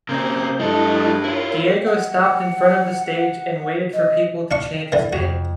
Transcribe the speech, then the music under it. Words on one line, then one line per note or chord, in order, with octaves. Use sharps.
Diego stopped in front of the stage and waited for people to chant his name.
C#3 A#3 C4 C5 G6
G2 G#3 E4 A4 D#5
E4 F4 A#4 C#5
F#5
D#5
D4 F5 C#6
D3 E3
F2 F#4 G#6